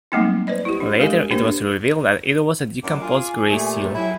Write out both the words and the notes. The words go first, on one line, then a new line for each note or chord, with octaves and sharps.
Later it was revealed that it was a decomposed grey seal.
F#3 G3 A3 A#3 C4 D#4
B4 C5 D5 D#5
E4 G4
D4
G#3 G4 A#4 D#5 G#5
A#3 D4 G4 A#4 C5
F#2 A2 D4 D6
F4 G#4
A#2 A3 G4
C3
F#3 E4 F#4 G#4